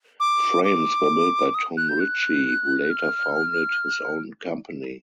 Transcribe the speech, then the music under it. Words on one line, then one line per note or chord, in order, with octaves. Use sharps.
Frames were built by Tom Ritchey, who later founded his own company.
D6
D6
D#6
F#6
G6
F#6
F6